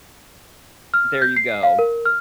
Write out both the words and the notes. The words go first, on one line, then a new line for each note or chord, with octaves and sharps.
There you go.
F6
G6
C7
F5
A#4
F6